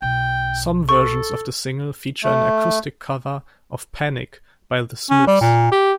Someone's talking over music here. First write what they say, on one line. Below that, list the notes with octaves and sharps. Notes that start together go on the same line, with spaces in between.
Some versions of the single feature an acoustic cover of "Panic" by The Smiths.
B1 G5
A4 C#6
A3
C#4
G3
A#2
G4